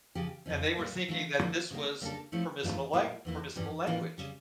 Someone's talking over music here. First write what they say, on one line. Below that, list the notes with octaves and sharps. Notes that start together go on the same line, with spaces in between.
and they were thinking that this was permissible lang permissible language.
C#3 F3 C#4 G4
F2 C#3 F3 C#4
A#2 G3 A#3
E3 A3 D4 F4
D3 F3 A#3 E4 A4
C#3 G3 A#3
C#3 G3 A#3 D4 A4
F3 A3 C#4 E4 A4
G2 E3 A3 D4 F4
A#2 G3 A#3 E4
E2 E3 A#3 E4
G2 E3 G3 C#4
A2 E3 A#3 C#4 F4
C#3 G3